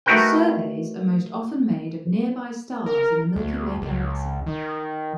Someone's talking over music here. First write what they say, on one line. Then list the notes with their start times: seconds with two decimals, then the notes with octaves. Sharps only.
The surveys are most often made of nearby stars in the Milky Way Galaxy.
0.06 A3 D#4 F#4 A#4 B4 G5
2.86 A#4
3.36 D2
3.82 C#2
4.47 D#3